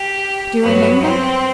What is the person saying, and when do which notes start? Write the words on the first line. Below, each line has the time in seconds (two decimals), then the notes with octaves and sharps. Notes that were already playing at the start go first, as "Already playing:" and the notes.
"Do you remember?"
Already playing: G4
0.63 G2 F#3 B3
1.01 C4